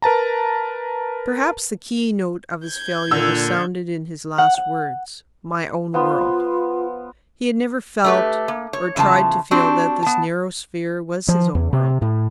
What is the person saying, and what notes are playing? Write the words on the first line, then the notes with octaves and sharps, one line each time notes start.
Perhaps the keynote of his failure was sounded in his last words, "my own world." He had never felt, or tried to feel, that this narrow sphere was his own world.
A#4 B4 A5 A#5
G6 G#6
A#2 D3 E6
F#5
F#5
F3 B3 F4 C6
A3 G4 B4
A#3
C#5
E2 C#3 F3 G#5 A5
C4 D4 F#4 G4
B3 A5
F3
E2
C3
A2